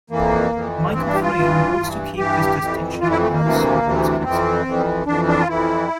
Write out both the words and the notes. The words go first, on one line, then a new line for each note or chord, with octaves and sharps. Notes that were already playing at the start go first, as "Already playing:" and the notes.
Michael Frayn works to keep this distinction as small as possible.
F2 E3 A#3
F2 E3
G2 E3 C4
D4
G4
F4
G2 E3
G2 E3
G2 E3 G4
F2 E3
F2 E3 F4
E4
A3
A#3
D2 C3 E3
D2 C3 E3
F2 E3 C4
F2 E3
F2 E3 D4
D4
F4
F2 E3 E4